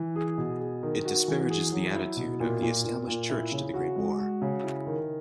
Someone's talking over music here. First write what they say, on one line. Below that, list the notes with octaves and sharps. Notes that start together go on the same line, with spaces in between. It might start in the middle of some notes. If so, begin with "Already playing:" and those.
It disparages the attitude of the established church to the Great War.
Already playing: E3
G#4
B2
G#4
D#3
F#4
E3
G#4
F#3
E4
B2
A#2
A#2
A#2
A#2
E4
C#3
F#4
G#3
F#4
C#3
E4
D#3